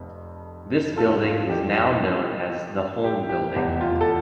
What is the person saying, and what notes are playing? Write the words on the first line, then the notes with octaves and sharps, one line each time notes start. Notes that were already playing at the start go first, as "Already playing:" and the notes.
This building is now known as the Holme Building.
Already playing: F1 F2
F4 A4
F4
F2 E3 G3 G4
G4
G4
G4
F1 E2 C3 E3 G4
F4
A4